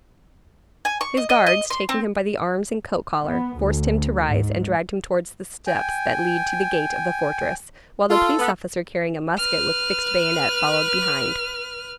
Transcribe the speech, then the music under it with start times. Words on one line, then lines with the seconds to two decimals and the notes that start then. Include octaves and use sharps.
His guards, taking him by the arms and coat-collar, forced him to rise, and dragged him towards the steps that lead to the gate of the fortress, while the police officer carrying a musket with fixed bayonet followed behind.
0.85 G#5
1.01 C#6
1.17 D#5
1.30 D#5
1.46 D#5
1.70 C6
1.89 C4
3.25 B3
3.58 D2
4.27 G#2
5.67 G5 G#5
8.09 F4 A4
8.39 B3
9.38 B4 F6